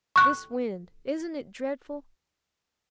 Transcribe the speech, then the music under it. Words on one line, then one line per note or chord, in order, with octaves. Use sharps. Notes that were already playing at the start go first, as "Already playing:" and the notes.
This wind--isn't it dreadful?
C#6 F#6